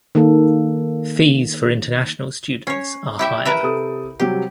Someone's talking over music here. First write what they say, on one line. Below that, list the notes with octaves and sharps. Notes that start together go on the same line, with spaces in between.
Fees for international students are higher.
D#3 A#3 A4
C#4 C#5 C7
E4 G4 E5
A#4 B4 E5
C3 A4 D#6
C3 F#3 G3 G4